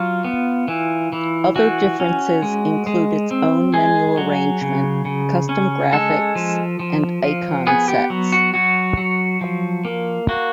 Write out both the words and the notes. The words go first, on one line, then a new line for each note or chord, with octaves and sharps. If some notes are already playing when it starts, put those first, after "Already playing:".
Other differences include its own menu arrangement, custom graphics, and icon sets.
Already playing: F#3 F4
B3
E3
E3
E3 F#4
C#4
G#3
G#3
C4
G#3 G#4
F#3
C#3
C#3
C#4
G#3 A4
F3
F3
F3
B3 G#4
G4
F#3
F#4
F#3 F#4
F#3
F3
A#3
A#3 F#4